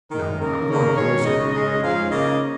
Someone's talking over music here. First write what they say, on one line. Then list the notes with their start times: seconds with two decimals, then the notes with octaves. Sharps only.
"No, I'm going closer," declared Jimmie.
0.10 D#3 G#3 D#4 A#4
0.38 C#3 A#3 D#4 A#4
0.67 C#3 A#3 C#4
0.96 D#3 G#3 C#4 C#5
1.24 C#3 G#3 D#4 D#5
1.52 C#3 G#3 C#4 D#5
1.81 G#2 F3 C#4 F5
2.10 C#3 A#3 D#4 D#5